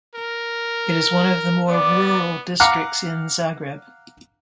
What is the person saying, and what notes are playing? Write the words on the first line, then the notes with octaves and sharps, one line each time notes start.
It is one of the more rural districts in Zagreb.
A#4
B3 D5 D6
F5 F#5 A#5 D6 F#6